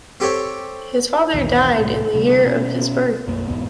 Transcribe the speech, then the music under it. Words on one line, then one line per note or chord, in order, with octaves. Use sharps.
His father died in the year of his birth.
C4 G4 A4 C#5 G5
B1 E2 D#3
C2 A2
D2 C3 G3 B3
B2 B3 C#4
B1 F#2 A#3
E1 G#2 B3